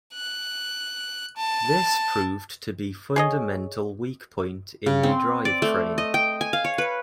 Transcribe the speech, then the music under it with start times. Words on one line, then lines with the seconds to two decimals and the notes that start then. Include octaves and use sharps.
This proved to be fundamental weak point in the drive train.
0.14 F#6
1.36 A5
3.16 G#4 C#5 D#5
4.86 C#3
5.03 C4
5.45 D5
5.62 A3
5.98 D#5
6.14 G5
6.41 G#5
6.53 F5
6.65 C#5
6.78 B4